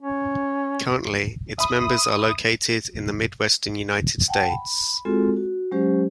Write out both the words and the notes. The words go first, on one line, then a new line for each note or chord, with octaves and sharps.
Currently, its members are located in the midwestern United States.
C#4
E5 B5 D#6
F#5 G5 A5
B5
G#3 C4 F4 F#4 G#4 A4
F#4
F#3 G#3 C#4 G4 C5